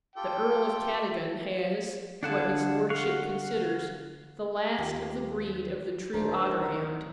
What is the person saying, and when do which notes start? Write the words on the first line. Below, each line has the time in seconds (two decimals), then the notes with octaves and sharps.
The Earl of Cadogan has, what his Lordship considers, the last of the breed of the true otter-hound.
0.16 F4 G4 A4 G5
2.23 D3 D4 F4 G#4 F#5 A5
2.90 F5 F#5 C#6
4.78 D#2 F4 G4
6.14 D1 D#2 D#3 A3 D4 A#4 C5